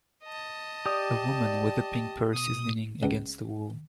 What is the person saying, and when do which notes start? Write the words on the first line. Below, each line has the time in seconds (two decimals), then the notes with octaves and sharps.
A woman with a pink purse is leaning against a wall.
0.24 D#5 A5
0.86 G4 D5 D#6
2.34 B2 D#6
3.03 C#2